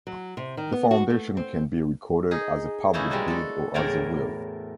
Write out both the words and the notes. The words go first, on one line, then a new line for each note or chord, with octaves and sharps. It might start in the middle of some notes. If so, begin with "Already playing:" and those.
The foundation can be recorded as a public deed or as a will.
F#3
C3
D#3
B3
F#4
A3
C4
D#4 G#4
E3 A3 A#3 C#4 D#4 E4
G3 G#3 D4 F#4
A3 A4
E2 A2 A#4 C#5 D5 A#5